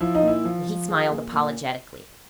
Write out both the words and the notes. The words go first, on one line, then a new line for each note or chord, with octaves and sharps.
But he smiled apologetically.
F3 E4
D#4
A#2 E4
F3
F3
F3 G#4
A#2
A#2